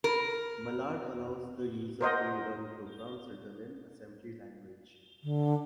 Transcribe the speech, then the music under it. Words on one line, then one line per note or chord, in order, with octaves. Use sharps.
Mallard allows the user to run programs written in assembly language.
A#4
A#4 C5 D#5 F#5
D3